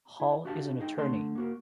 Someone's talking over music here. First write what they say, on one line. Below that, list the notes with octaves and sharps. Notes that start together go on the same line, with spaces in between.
Hall is an attorney.
E4
D4 F#4 G4 E5 F5 A5
D#4 G#4 D#5 G5
D3 A3 D#5 A5 C6
A#3 F#4 A#4